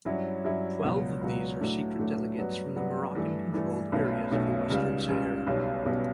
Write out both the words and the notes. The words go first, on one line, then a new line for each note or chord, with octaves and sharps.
Twelve of these are secret delegates from the Moroccan-controlled areas of Western Sahara.
G2 F#3 C#4 E4
G2 F#3 C#4 E4
C#2 B2 F#3
C#2 B2 F#3
A2 F#3 A3 D4
A2 F#3 A3 D4
G2 F#3 B3
G2 F#3 B3
G2 E3 A3
G2 E3 A3
B1 B2 A3 C#4
B1 B2 A3 C#4
C#2 C#3 G3
C#2 C#3 G3
B1 B2 G3 C#4
B1 B2 G3 C#4